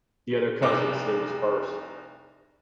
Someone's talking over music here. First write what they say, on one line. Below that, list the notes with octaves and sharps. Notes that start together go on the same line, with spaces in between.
The other cousins soon disperse.
F1 C2 D6